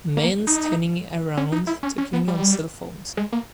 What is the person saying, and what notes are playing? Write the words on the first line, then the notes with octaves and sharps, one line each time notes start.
Men standing around talking on cellphones.
A#3
D#4
C#4
D#4
E4
C#4
C#4
B3
G3
G#3
A#3